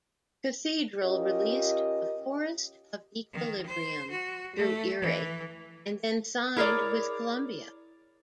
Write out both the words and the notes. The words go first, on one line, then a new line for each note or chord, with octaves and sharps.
Cathedral released "The Forest of Equilibrium" through Earache and then signed with Columbia.
C#4 F4 G4 A#4 D#5
D#3
C5
F#4
A3
E3
E4 G#4 A#4 C#5 D5